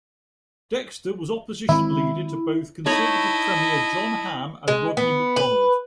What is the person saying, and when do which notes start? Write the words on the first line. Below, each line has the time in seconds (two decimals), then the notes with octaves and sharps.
Dexter was Opposition Leader to both Conservative Premier John Hamm and Rodney MacDonald.
1.69 D#3 G#3 C4 E4
2.86 D#4 E4 C#5 D#5 A5 B5
4.68 G#3
4.97 B3
5.36 B4